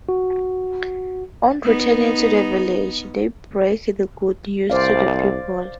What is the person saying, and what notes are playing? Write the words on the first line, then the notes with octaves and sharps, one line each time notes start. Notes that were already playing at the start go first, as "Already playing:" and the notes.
On returning to the village, they break the good news to the people.
F#4
B3 D#4
C2 C5 D5 F5